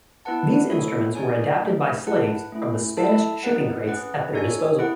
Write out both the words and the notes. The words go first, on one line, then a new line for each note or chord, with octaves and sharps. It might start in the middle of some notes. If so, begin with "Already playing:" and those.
These instruments were adapted by slaves from the Spanish shipping crates at their disposal.
B3 E4 B4 F#5 A5
A3 E4 A4 C#5
D#4 G#4 C#5 G#5
A3 D#4 G#4
E4 B4 F#5 A5
A3 C#4 E4
E4 A4 E5 A5
D#4 G#4 B4 F#5
C#4 G#4 B4 F#5
D#4 A4 C#5 G#5
E4 G#4 B4 F#5